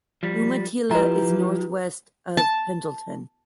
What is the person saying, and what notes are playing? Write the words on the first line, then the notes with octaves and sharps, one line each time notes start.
Umatilla is northwest of Pendleton.
F3 G3
F3 E4 G4 B4 A#5
A5